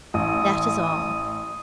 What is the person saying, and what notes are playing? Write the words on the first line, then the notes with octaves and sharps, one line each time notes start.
That is all.
A1 D#6